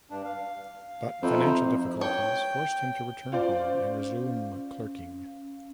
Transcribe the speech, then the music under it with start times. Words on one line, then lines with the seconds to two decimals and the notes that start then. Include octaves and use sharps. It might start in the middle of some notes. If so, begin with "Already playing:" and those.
But financial difficulties forced him to return home and resume clerking.
0.10 G2 D4
0.25 F5
1.22 F2 D#4 E4 C5
2.01 C#5 G5
3.32 C#4 F4 C5 D5 F5